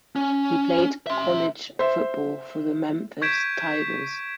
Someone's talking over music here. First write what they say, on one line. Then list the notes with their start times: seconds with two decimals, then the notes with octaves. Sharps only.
He played college football for the Memphis Tigers.
0.16 C#4
1.07 E5 C6
1.79 C5 E5
3.22 C#6 G6 G#6 B6 D7 E7